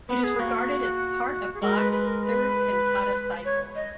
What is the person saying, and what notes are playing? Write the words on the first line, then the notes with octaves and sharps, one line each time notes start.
It is regarded as part of Bach's third cantata cycle.
B3 B4
G#4
A#3 F#4
G#4
G#3 A#4
B4
B4
A#4
B4
C#5
D#5